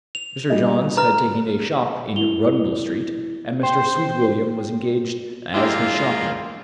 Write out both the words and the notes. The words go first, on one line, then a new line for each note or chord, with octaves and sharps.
Mr. Johns had taken a shop in Rundle-street, and Mr. Sweetwilliam was engaged as his shopman.
F7
G3 D#5
B4 A#5 F6
E4 F7 G7
C5 G5
G#3 A#3 D4 E4 F4 G4